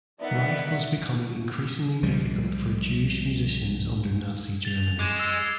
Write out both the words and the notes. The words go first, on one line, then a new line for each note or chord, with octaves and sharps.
Life was becoming increasingly difficult for Jewish musicians under Nazi Germany.
B3 D#4 A#4 D5 E5 F#5
C2 F3 G3 G#3
A6 F7
G#3 D6 G#6 E7
E6 G#6 C7